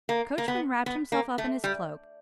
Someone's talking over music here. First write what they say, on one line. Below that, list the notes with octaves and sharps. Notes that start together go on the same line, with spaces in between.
The coachman wrapped himself up in his cloak.
A#3
A#3
B3
B3
A#3
A3
G3